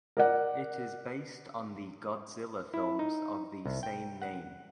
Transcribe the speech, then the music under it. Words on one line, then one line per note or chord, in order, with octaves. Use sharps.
It is based on the Godzilla films of the same name.
A#4 D5 F#5
E4
D#4
C2
G5
F#5